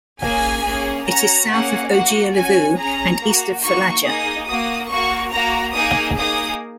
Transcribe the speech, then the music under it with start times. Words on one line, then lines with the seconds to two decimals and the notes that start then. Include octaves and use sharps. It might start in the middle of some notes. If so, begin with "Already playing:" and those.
It is south of Ogea Levu and east of Fulaga.
0.22 A#3 C#4 G#4 G#5
0.65 A#3 C#4 G#4
1.07 C#4 F#4 A#5
1.49 A#3 C#4 G#4 F#5
1.92 A#3 F#4 F#5
2.34 C#4 F#4 G#5
2.76 C#4 G#4 A#5
3.20 A#3 F#4
3.61 A#3 D#4 F#4 C#6
4.03 A#3 D#4 G#4 D#6
4.46 A#3 F#4 D#6
4.89 A#3 F#4 C#6
5.31 A#3 F#4 A#5
5.74 A#3 D#4 G#4 D#6
6.16 A#3 D#4 G#4 D#6